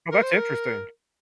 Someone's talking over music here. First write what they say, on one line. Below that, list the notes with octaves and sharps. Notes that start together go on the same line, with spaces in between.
Oh, that's interesting.
A#4
C5
A#4